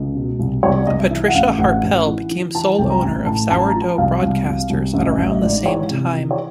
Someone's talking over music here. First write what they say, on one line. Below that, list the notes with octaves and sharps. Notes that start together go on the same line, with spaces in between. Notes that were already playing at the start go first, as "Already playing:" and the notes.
Patricia Harpel became sole owner of Sourdough Broadcasters at around the same time.
Already playing: C#2
B2
C2
C2 C#5
D5
C2 D#5
E5
E3 E5
F#5
A1 F5
A1 F#5
A1
E3
E3
E3 A5
C2 G5
A#5
A1 G#5
A2 A5
A1 A5
A#5
F3
A5
C2 F5
C2
C2
C2
A1 E5
D#5
A1 E5
D#5
G#2 D5
E3 C#5
C3
E3
C#5